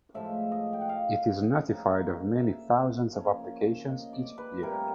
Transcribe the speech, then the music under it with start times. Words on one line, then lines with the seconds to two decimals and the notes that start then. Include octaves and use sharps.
It is notified of many thousands of applications each year.
0.14 A2 F3 G#3 E5
0.52 D#5
0.73 G5
0.81 F#5
0.89 F5
1.64 C#3 F3 A#3 D#4
2.39 E5
3.13 F3 A#3 C#4
3.88 D#5
4.13 D5
4.38 B4
4.62 A#2 G3 C4 E4 A#4